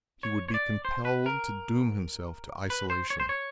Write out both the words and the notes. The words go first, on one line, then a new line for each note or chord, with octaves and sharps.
He would be compelled to doom himself to isolation.
C#5
C#5
D5
C5
B4
A#4
B4
C5
C#5
C5
C#5